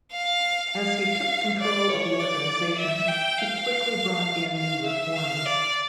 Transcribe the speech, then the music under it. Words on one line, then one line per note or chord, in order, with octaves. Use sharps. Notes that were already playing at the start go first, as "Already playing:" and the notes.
As he took control of the organization, he quickly brought in new reforms.
F5
F5
D5
C#5
D5
E5
G5
F5
F5
E5
F5
D5